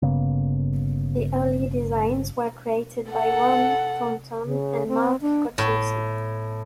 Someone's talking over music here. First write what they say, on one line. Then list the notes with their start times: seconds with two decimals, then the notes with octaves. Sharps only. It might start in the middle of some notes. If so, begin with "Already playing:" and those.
The early designs were created by Ron Thornton and Mark Kotchinski.
0.02 G1 C#3 A#3 B3
3.12 A4 F#5
4.44 C#3
4.88 C4
5.21 D4
5.58 A2